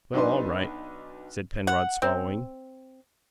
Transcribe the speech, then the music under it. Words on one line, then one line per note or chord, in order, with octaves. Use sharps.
"Well, all right," said Penrod, swallowing.
B1 D4 D#4 B4 C6
F#5
C4